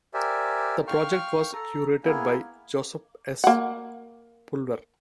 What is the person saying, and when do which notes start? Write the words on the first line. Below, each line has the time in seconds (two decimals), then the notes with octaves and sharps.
The project was curated by Joseph S. Pulver.
0.14 G4 A#4 C5 D5 E5 G#5
0.87 F5 G5 C6 C#6 F6
1.53 A4 A#5
2.04 A#3 B3 E4 G#4
3.44 A#3 F#5